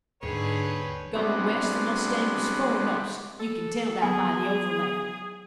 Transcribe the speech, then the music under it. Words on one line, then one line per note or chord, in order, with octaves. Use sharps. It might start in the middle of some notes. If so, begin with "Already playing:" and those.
Goin' west the mustang was foremost; you can tell that by the overlap.
D#2 G#2 D3 G#4 B4 C#5 G5
G3 G#3 B3 C4 D4 F#4
A4
F#3 B3 G#4 G#5